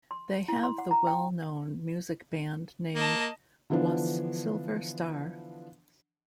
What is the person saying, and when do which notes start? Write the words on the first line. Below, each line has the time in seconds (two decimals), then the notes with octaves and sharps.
They have the well known music band named "Los Silver Star".
0.11 C6
0.48 E4
0.63 C6
0.78 F#5
0.91 A#5
1.07 G5
2.95 A#3 D#5 A5
3.70 D3 E3 F3 B3 D4